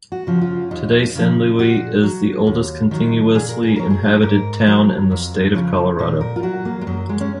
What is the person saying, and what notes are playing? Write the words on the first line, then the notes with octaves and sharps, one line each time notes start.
Today, San Luis is the oldest continuously inhabited town in the state of Colorado.
F#4
C#3 F3
F4
D#2 D#4
C#3 F3
A#2 F#4
F#3
D#2
D#3 F#3
A#2 G#4
A#4
G#4
F#3 A#4
G#4
G#2 A#4
F#3
F2
C#3 F3
A#2 C5
A#4
F4
F#3 F#4
A#3
G#3
F#2 F#3
G#3
C#4